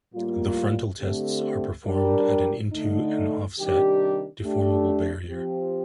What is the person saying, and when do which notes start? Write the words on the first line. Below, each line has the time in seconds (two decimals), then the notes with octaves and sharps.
The frontal tests are performed at into an offset deformable barrier.
0.14 A2 G3 A#3 F4
1.00 D3 A3 C4 G4
1.85 G3 D4 G4 A#4
2.72 D3 A3 D#4
3.58 C3 D#3 G3 D4 G4
4.44 A3 D4 G4
5.29 F3 C4 G4